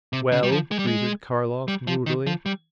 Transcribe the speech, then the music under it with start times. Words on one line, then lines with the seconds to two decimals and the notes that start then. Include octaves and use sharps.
"Well?" greeted Karlov, moodily.
0.13 C3
0.32 C#3
0.43 G3
0.52 F3
0.71 G#3
0.79 G3
0.87 G#3
1.68 G3
1.87 F3
2.06 D#3
2.27 F3
2.46 G3